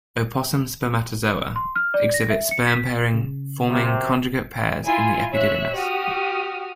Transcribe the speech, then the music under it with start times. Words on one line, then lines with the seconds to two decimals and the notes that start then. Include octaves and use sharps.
Opossum spermatozoa exhibit sperm-pairing, forming conjugate pairs in the epididymis.
1.56 C6
1.76 F6
1.94 D5
2.14 A#6
2.30 E5
2.51 C#7
2.67 B6
3.14 C#3
3.68 F#2 C3
4.85 E4 F4 G#5
5.33 C#5 E5 F#6
5.76 F#4 G4 D#6 F6